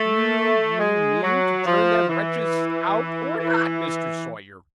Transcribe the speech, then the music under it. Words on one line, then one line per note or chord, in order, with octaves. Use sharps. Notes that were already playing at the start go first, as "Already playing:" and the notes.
'DO you mean to turn them wretches out, or not, Mr. Sawyer?'
Already playing: A3
G#3
F#3
F3
E3
E3